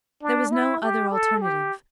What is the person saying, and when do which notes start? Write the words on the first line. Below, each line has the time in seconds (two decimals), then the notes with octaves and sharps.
There was no other alternative.
0.22 D4
0.52 E4
0.82 G4
1.12 A4
1.41 G4